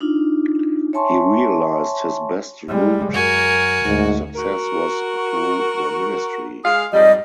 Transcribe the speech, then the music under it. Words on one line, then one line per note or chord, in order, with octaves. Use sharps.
He realized his best route to success was through the ministry.
D4 D#4 F4
C#5 E5 G#5 A5 C6 C#6
G3 G#3
F#2 F#4 A#4 G#5
D2 G#2
F#4 A#4
G#3 G#4 F5
F2 G#2 G3 D#5